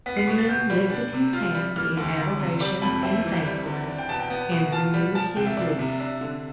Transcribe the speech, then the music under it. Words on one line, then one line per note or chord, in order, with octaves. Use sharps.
Simeon lifted his hands in adoration and thankfulness and renewed his lease.
B3 B6
C7
B2 B6
A6
B2 G6
G3
D4
C3
F4
G3
E3 F6
D2
D2
C3
G3 D6
F2 B5
C4 E5
E3
G3
E2
D4
G5
B2 A5
G5
B3
B2
F4 A5
G3
F3 A5
C2 G5
E5
C2 D5
C3 E5
D4 E5
D3